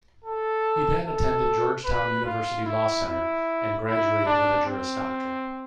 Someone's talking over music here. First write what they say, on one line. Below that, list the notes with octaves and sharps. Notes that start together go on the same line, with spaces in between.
He then attended Georgetown University Law Center and graduated with a Juris Doctor.
A4
A4
B4
F4
E4
E4
E4
D4
C4